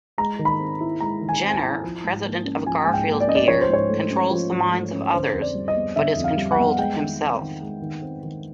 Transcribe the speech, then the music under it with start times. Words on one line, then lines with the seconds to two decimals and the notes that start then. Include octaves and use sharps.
Jenner, president of Garfield Gear, controls the minds of others, but is controlled himself.
0.18 G#3 A#5
0.39 D#3
0.45 B5
0.60 C4
0.81 E4
1.01 G#3 A#5
1.21 D#3
1.29 G#5
1.42 C4
1.51 G#5
1.56 A5
1.62 E4
1.83 F3
2.04 G#2
2.25 A#3
2.45 C#4
2.66 F3 G#5
2.84 G#2 G#5
2.94 G5
3.08 A#3
3.21 D5
3.28 C#4 D#5
3.35 D5
3.48 F3 C#5
3.61 C5
3.69 G#2 C#5
3.89 A3
4.11 C#4
4.31 F3
4.52 G#2
4.72 A3
4.93 C#4
5.14 D3 C5
5.34 F2
5.42 D5
5.55 G3
5.68 D#5
5.76 B3
5.96 D3 E5
6.17 F2
6.24 F5
6.37 G3
6.52 F#5
6.58 B3
6.78 G#3 G5
7.00 D#3
7.20 C4
7.41 D#3
7.61 G#3
7.82 D#3
8.02 C4
8.23 D#3